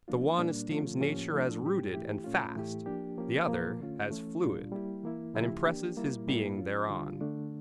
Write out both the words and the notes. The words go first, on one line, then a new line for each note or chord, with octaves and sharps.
The one esteems nature as rooted and fast; the other, as fluid, and impresses his being thereon.
F3 A#3 D4 F4
A#2 G3 A#3 D4
D3 F3 A3 C#4 F4
A2 F3 A#3 C#4 G4
F3 A3 D4
A2 G3 C#4 G4
E3 A3 E4 G4
A#2 A3 C#4 F4
A2 E3 A3 E4 G4
F3 A#3 D4 G4
F3 A#3 C#4 G4
A#2 F3 A#3
D3 A3 C#4 F4
E3 A3 C#4
A#2 G3 D4 F4
G3 A#3 E4 G4
E3 A#3 E4
C#3 F3 A3 E4 G4
E3 A#3 D4 G4
G3 A#3 E4
A2 G3 A#3 E4
F3 C#4 F4
D3 G3 D4 F4
D3 A3 D4